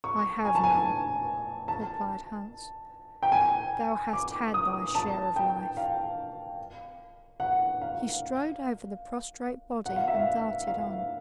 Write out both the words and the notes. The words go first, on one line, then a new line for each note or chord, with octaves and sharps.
"I have none," replied Hans; "thou hast had thy share of life." He strode over the prostrate body and darted on.
C#6
G#5
A5
G#5
A5
G5
G#5
D6
D#6
A5
G5
F5
F#5
F5
F#5
F5
E5
F5
F5